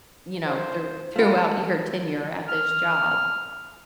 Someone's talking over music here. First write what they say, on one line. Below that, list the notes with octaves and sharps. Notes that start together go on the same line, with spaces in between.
you know, through throughout your tenure at this job?
C5
A3 B3 F4
F6